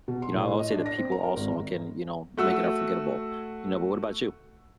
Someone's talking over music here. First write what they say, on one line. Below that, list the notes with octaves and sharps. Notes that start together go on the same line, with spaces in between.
you know, I would say the people also can, you know, make it unforgettable, you know. But what about you?
B2
C6
A2
D#5
D4
A#6
C4
A#5
A#4
G#1
A3 F#4 E6